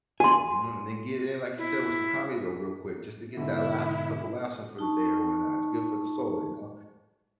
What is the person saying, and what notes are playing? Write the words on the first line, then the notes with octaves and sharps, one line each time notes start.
Mhm, and then get it in, like you said, with some comedy though, real quick, just to get that laugh, a couple of laughs in for the day or whatnot, it's good for the soul, you know?
F#4 G#5 C6
E4
G#2 B2 D3 E4
D#4 A5 C#6